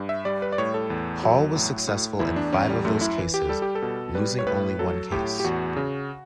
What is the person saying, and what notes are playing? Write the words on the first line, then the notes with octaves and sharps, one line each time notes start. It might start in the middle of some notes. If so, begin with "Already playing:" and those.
Hall was successful in five of those cases, losing only one case.
Already playing: G2
E5
G3 D5
B4
D5
A2 C#5
A4
E2
F#3
A2
A2
E2 E4
D4
E2 C#4
G3
F#2 A3
E4
E3
G4
G3 A4
G4
A4
B2
G3 B4
C#5
A2 B4
F#3 A4
A2 G4
G4
E2 F#4
C#3